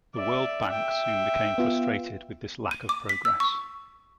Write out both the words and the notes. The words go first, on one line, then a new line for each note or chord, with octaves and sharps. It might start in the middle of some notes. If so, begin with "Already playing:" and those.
The World Bank soon became frustrated with this lack of progress.
D5 E5
E5 G5
B3 F4
D#7
D6
B6
E6
C#6